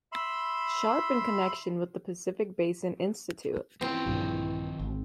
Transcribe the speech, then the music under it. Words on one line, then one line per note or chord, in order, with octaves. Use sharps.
Sharpe in connection with the Pacific Basin Institute.
E5 B5 C6
E3 F3 C4 C#4
A#1 G2 D#3 F3
G#1